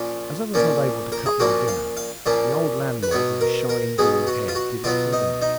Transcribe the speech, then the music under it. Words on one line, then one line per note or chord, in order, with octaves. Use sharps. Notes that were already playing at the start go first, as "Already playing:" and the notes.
As I was not able to cut my dinner, the old landlord with a shining bald head did it for me.
Already playing: A#2 F3 A#3 C#4 F4
A#2 F3 A#3 C#4
A#4
G#4
A#2 F3 A#3 C#4 F#4
F5
F5
A#2 F3 A#3 C#4
B4
B2 F#3 B3 C#5
A#4
A#4
B2 F#3 B3 G#4
F#4
F4
F#4
B2 F#3 B3 F4
D#4
D#4